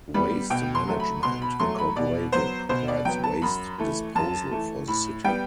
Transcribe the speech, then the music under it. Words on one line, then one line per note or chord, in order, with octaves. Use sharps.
Waste Management Incorporated provides waste disposal for the city.
G3 B3 B5
B2 G5
C6
F#3 A3
B5
B2 C6
B5
F#3 A3 C6
B5
B2 D5
F#3 B3 C5
B2 C5
D5
F#3 B3 G5
A5
F#2 B5
E3 A3
F#2 A5
E3 A3
A2 B5
G3 B3 G5